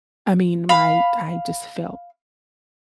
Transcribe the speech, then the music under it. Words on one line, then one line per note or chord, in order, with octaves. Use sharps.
I mean, my I just felt
F5 B5